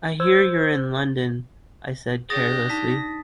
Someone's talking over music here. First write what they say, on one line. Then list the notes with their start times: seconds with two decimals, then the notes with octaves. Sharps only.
"I hear you're in London," I said carelessly.
0.20 C5 E6 G#6
2.30 D4 G4 G#4 D#6 A6 A#6
2.70 D#4 A5 B6